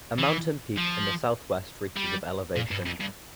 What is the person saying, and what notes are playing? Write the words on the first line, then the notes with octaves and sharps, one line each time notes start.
A mountain peak in the southwest reaches of elevation.
E3
F3
G3
A#2
G2
F2
G2